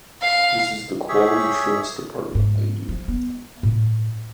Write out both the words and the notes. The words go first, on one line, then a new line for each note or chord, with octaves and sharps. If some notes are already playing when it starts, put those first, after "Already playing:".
This is the quality assurance department, lady.
F5
G4 G#4 C#5 E5
G#2
F3
B3
A2